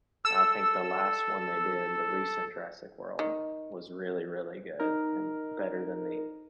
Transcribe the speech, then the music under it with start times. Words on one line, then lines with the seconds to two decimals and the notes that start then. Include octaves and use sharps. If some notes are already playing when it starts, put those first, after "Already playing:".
I think the last one they did, the recent Jurassic World, was really, really good and better than the
0.25 A4 E6
3.19 D#3
4.79 D#4 A#4